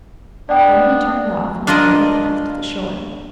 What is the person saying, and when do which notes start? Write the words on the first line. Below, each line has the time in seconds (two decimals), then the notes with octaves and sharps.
Then he turned off in a narrow path to the shore.
0.49 B3 D4 D5 G5
1.67 D4 F4 A#4 D5 D#5